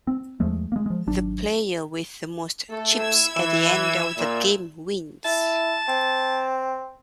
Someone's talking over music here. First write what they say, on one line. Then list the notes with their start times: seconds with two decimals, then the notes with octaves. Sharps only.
The player with the most chips at the end of the game wins.
0.07 C4
0.40 E2 F3 G#3 A3
0.72 G#3 A#3
0.86 F3 G#3
1.07 G#1 F#3 D4
2.70 A3 A4
2.99 E4 E6 G#6
3.37 E3
4.18 A#2
5.24 E4 A5
5.88 C4